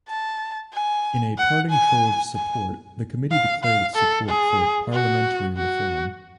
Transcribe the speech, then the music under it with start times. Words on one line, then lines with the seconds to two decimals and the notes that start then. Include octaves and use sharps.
In a parting show of support the Committee declared its support for parliamentary reform.
0.09 A5
0.73 G#5
1.38 F#5
1.70 G#5
2.35 G#5
3.31 F5
3.64 F5
3.96 A4
4.28 G#4
4.93 F#4
5.57 F#4